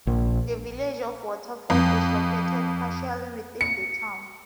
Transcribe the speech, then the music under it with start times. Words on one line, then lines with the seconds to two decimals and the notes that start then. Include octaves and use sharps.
The Village of Waterford is located partially within the town.
0.07 A#1
1.70 F2
3.61 C#7